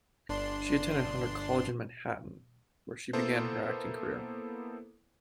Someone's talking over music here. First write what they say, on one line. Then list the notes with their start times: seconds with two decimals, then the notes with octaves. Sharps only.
She attended Hunter College in Manhattan, where she began her acting career.
0.29 G1 D4 C6
3.13 A#3 B3 E4 A4 C5